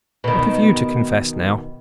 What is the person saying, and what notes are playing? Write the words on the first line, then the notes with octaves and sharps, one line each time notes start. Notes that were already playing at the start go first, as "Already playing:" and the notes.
What have you to confess now?
B2 D#3